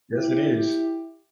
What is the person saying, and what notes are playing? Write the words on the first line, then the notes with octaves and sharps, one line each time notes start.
Yes, it is.
E4 G4